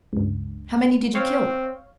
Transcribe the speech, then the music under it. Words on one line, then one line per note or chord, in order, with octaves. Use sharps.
How many did you kill?'
C#2 G2
C4 C#5 F5